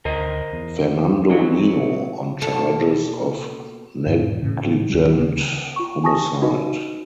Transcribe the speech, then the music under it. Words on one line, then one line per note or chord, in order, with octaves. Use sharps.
Fernando Nino on charges of negligent homicide.
D2 A#4 C5 D#5
E2
F#3 C4 D#4 C#5
B2 A#3 A4
E1 G#2
A2 C#3
D#2 G3
D2 C#3 A#3
F4 C#6
G#5 A5 C#6 D#6 A#6
D#4 F#4 B4 D#5